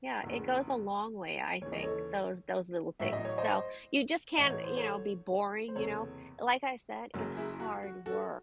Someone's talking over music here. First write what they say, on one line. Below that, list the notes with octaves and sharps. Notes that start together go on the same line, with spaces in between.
yeah, it goes a long way, I think, those those little things. So you just can't, you know, be boring, you know, like I said, it's hard work,
F#1 E2 C#3
D#2 C#3 E3 C#5
D#5
A4 C#5
A1 A2 F#3 E5
D#5
C#5
C5 D#5
A1 A2 E3 D#5
C#5
C5
A4 C#5
C5
F#1 E2 C3 A4 C#5
F#1 F#2 C#3 F#3
E4 G#4
F#4
F#4
F#4 A4